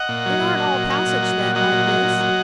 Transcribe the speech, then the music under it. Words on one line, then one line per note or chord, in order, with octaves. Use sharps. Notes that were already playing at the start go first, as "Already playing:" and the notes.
"It aren't all passage, then, like this?"
Already playing: D#5 F#5
A#2
F#3
A#2
F#3
A#2
F#3
A#2
F#3
A#2
F#3 D#5 F#5
A#2
F#3
A#2
F#3